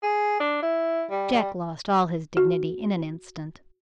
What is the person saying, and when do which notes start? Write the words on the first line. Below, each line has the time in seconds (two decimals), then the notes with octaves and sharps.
Jack lost all his dignity in an instant.
0.03 G#4
0.40 D4
0.62 E4
1.11 G3
1.34 G3
2.37 F#4